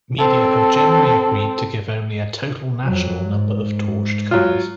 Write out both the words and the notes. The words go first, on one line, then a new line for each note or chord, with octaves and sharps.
Media have generally agreed to give only a total national number of torched cars.
C4 A4
F2 F#3
G#2
F#3 F4